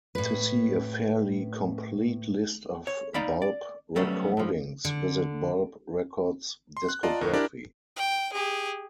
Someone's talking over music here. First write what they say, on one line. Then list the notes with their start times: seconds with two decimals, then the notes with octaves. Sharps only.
To see a fairly complete list of Bulb recordings, visit Bulb Records discography.
0.15 A2 B4
2.87 C#5
3.14 D#4 D5 F5 B5
3.42 D5
3.96 F#3 G3 A3 B3 C#4
4.37 G2 F3
4.85 D3
6.77 C6
6.89 F#6
7.03 F4 D5 D#5 A5 A#5
7.21 D2 A2 A#4
7.33 D4 E4 G4 A#4 D5
7.96 G5
8.33 G4 G#4